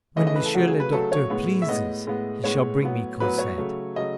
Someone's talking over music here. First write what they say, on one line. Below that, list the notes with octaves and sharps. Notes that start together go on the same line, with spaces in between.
When Monsieur le Docteur pleases, he shall bring me Cosette.
C#3 E3 A3 D#5
D#5
B4
A4
C#3 F#3 A3 F#4
G#4
B4
C#3 F#3 A3 A4
C#5
A2 G#3 B3
E5
A2 G#3 B3 D#5
A2 G#3 B3
A2 G#3 B3 C#5
A2 F#3 B3
A2 F#3 B3 B4
C#5
C#3 F#3 A3
C#3 F#3 A3 D#5